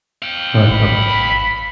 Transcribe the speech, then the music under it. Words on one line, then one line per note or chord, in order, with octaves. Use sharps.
Alright, bye-bye.
F5 G5
A1 B5